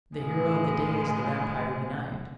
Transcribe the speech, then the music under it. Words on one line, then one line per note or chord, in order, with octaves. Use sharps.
The hero of the day is the vampire of the night.
A2 F3 G#3